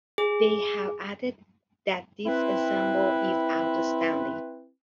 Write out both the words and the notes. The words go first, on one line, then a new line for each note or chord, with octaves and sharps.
They have added that 'this ensemble is outstanding.
G#4
C4 E4 B4